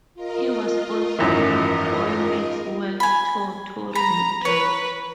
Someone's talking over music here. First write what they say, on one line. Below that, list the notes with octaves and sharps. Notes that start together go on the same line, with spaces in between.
He was also on the Boy Meets World Tour touring with Drake.
F4 A#4 D#5
G#1 F#2 E3
G#5 B5
A#5 B5
B4 C#5